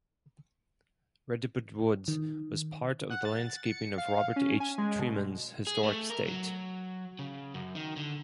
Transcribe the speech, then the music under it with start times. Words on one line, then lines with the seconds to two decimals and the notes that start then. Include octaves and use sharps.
Redbud Woods was part of the landscaping of Robert H. Treman's historic estate.
2.08 D#3
3.10 F#5
3.25 A6
3.65 C#7
3.98 F5
4.36 C#4
4.60 G#5
4.78 G#3
4.99 B2
5.67 G#4
5.83 A3
6.10 A#4
6.27 F#3
7.19 C#3
7.54 F#2
7.75 D#3
7.96 D3